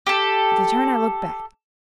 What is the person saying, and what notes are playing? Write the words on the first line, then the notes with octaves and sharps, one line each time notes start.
At the turn I looked back.
G4 A4